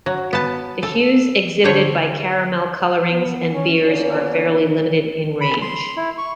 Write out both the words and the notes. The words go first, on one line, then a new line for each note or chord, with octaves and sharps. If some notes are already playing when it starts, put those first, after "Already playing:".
The hues exhibited by caramel colorings and beers are fairly limited in range.
F#3
B3 A5
A4
D3 C5 C#5
B3
C#4
D3 F3 A#3 B3 C#4 D4
B5
C6
E4
C#6